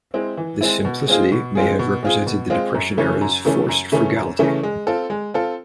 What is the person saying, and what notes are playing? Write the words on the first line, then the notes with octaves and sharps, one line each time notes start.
This simplicity may have represented the depression era's forced frugality.
G#3 C4 E4
E3
G#3 C4 E4
B2
G#3 C4 F4 G#4
B2
G#3 C4 F4 G#4
B2
G#3 C4 F4 G#4
B2
G#3 C4 F4 G#4
F#2
C#3 E3 A3 C#4
F#2
C#3 E3 A3 C#4
F#2
C#3 E3 A3 C#4
F#2
C#3 E3 A3 C#4
G#3
C4 F4 A4
G#3
C4 F4 A4